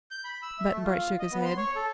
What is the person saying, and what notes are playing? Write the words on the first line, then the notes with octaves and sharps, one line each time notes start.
Button-Bright shook his head.
G6
B5
E6
E5
A3
F4
D#5
B3
C6
C#5
A4